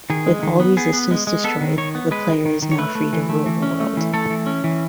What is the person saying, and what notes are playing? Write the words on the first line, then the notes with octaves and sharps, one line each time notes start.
With all resistance destroyed, the player is now free to rule the world.
D#3 G#4
G#3
D#3
B3
B3 G#4
B3
G#3
G#3
B3 A4
D#3
D#3 C#5
B3
G#3 B4
D#3
D#3
D#3
C#5
A3 B4
A3
E3
A3
E3
C#4
A3
E3
A3 A4
E3
C#4
E3